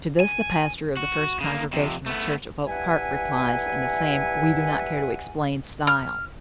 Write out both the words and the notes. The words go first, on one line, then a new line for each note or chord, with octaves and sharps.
To this the pastor of the First Congregational Church of Oak Park replies in the same we-do-not-care- to-explain style.
G#5
F#4
C#3 A#3
F2 C3
A3 B3
G2 E3 E5 F#5 G#5
F6